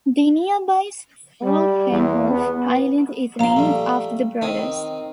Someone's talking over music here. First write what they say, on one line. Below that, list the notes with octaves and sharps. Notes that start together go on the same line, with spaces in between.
The nearby Stoltenhoff Island is named after the brothers.
G3
E2
B3
A#1 F5 A#5 C6
G3 A3
D#3 C4 D#6